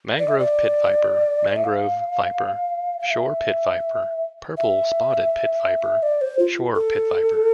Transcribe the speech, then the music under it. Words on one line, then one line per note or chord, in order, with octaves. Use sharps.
Mangrove pit viper, mangrove viper, shore pit viper, purple-spotted pit viper, shore pitviper.
D5
E5
D5
E5
F5
F5
E5
E5
D5
C5
F4
A4